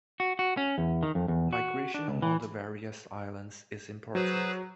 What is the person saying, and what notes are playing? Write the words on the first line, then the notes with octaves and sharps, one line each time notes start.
Migration among the various islands is important.
F#4
F#4
C#4
E2
D#3
F2
E2
F#4
D4
C#2
E3
F#3 G#4 B4 C5